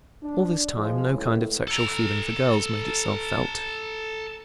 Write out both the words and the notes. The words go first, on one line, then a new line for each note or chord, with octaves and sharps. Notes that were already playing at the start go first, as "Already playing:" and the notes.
All this time, no kind of sexual feeling for girls made itself felt.
D4
F3 G#3
C#2 A2
A4 A#5